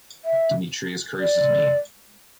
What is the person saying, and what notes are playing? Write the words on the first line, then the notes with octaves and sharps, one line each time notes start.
Dmitrius curses me!
E5
D5